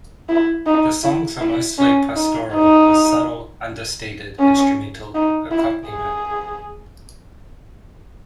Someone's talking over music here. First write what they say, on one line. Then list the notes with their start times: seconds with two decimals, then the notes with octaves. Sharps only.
The songs are mostly pastoral, with subtle understated instrumental accompaniment.
0.29 E4
0.66 D#4
1.03 E4
1.41 E4
1.78 C#4
2.15 D#4
2.53 D#4
4.39 C#4
5.14 D#4
5.51 E4
5.88 G#4